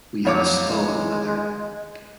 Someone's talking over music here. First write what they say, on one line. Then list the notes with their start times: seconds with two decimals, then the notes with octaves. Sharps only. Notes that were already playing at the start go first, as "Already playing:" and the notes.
We had a skull on another.
0.25 F2 F#3 C#5 D6
0.61 G#3